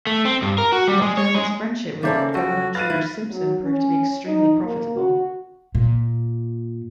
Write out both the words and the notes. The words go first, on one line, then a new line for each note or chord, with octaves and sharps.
McDermot's friendship with Governor George Simpson proved to be extremely profitable.
A3
C4
G2
A#4
F#4
G3
G#3
C#5
G#3
C#3 A#3 C#4 A4 C5 D5 E5
F#4 A4 G5
B4 F5 A6 A#6 D#7
D#3 E4
F#3
C#4
D#4
A#3
F#4
A#2